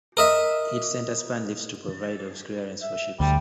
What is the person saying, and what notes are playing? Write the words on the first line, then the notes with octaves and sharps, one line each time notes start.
Its center span "lifts" to provide of clearance for ships.
A#4 D#5 E5
E5
D2 G3